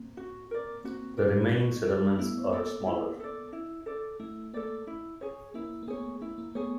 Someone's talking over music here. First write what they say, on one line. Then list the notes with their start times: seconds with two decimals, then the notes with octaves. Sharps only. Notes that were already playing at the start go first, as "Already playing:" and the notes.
The remaining settlements are smaller.
Already playing: A#3 C4
0.17 F#4
0.51 A#4 D5
0.84 A#3 C4 F#4
1.17 A#4 D5
1.51 F#4
1.85 A#4 D5
2.19 A3 B3 E4
2.52 A#3 A4 D5
2.87 E4
3.20 A4 D5
3.53 E4
3.86 A4 D5
4.20 A3 E4
4.54 A#3 A4 D5
4.87 E4
5.21 G#4 C#5
5.54 A#3 E4
5.83 A#3
5.87 A3 B3 G#4 C#5
6.22 A#3 E4
6.38 A#3
6.55 A3 B3 G#4 C#5